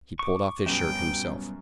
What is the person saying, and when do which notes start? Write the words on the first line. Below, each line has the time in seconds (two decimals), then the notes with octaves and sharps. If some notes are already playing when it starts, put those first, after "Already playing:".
He pulled off his shirt, himself.
0.19 C#6 D6
0.66 F#2 B2 G3 B3 G5